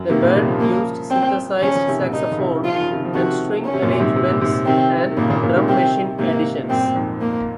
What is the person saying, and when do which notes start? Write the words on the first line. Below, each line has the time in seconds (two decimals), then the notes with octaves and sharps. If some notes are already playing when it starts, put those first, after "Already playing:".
The band used synthesised saxophone and string arrangements and drum machine additions.
Already playing: F#2
0.09 C3 D#3 A#3
0.23 A#2 C#3
0.35 C3 D#3
0.48 C#3 F3
0.60 A#3
1.11 C4
1.62 C#3 F3 C#4
1.75 C#3 F3
1.88 C3 D#3
2.00 A#2 C#3
2.13 C3 D#3 D#4
2.31 C#3
2.38 C3 D#3
2.64 F3 F4
2.73 D#3
2.81 C#3
2.91 C3 D#3
3.05 F3
3.15 C3 D#3 F#4
3.66 C#4
3.74 C3
3.82 F#2 A#2
3.95 A#2
3.99 G#2 C3
4.16 C3
4.28 A#2
4.41 G#2 C3
4.66 C3 D#3 C4
5.12 D#3
5.17 A#2 C#3 A#3
5.30 A#2 C#3
5.43 A#2 C#3
5.55 C3 D#3
5.69 C3 D#3 C4
6.19 G#2 C3 A#3
6.70 F#2 A#2 C4
6.86 A#2
6.95 F2 G#2
7.21 A#3